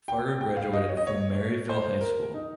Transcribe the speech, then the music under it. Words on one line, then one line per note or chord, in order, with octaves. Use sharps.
Fargo graduated from Maryvale High School.
G5
G5
F5
D#5
C#5
D#5
C#5
C5
A#4
D#4